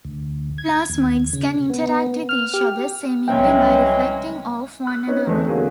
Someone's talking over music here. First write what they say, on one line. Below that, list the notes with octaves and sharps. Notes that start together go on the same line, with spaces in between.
Plasmoids can interact with each other, seemingly by reflecting off one another.
D2
G#6
D#2
C#3
B3
F6
G4
C2 E3 F#3 G#3 C#4 G5
F#6
C4 C#4 D#4 B4 C#5
E2 E3 G#3 A3 C4 D#4
D3 F#3 A#3 G#4